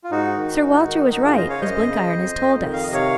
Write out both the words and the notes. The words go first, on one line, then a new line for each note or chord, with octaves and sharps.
'Sir Walter was right, as Blenkiron has told us.
F4
G#2 D#4 F#4
D#3
G#2
D#3
F#2 D#4 F#4
F4 G#4
C#3 C5 D#5
C#5 F5
F#2 C5 D#5
C#3
F2
F2
D#3
F5
C3 D#5
C#5 F5